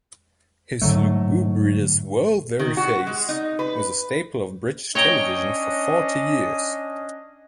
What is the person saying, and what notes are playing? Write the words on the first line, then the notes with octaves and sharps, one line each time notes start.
His lugubrious world-weary face was a staple of British television for forty years.
G#2 D3 F#3 A3
D#3
F#4
G#3
D#4
B4
C#4 D4 C#5 D#5 G5 A#5